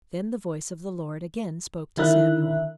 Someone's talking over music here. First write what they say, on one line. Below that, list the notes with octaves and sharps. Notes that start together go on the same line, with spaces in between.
Then the voice of the Lord again spoke to Samuel.
D3 D#3 E4 A#4 E5 F#6